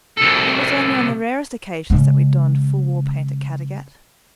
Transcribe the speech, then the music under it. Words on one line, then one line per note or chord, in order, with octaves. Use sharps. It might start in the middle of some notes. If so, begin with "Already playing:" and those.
It was only on the rarest occasion that we donned full war-paint at Caddagat.
C2 A4
C#3 G#3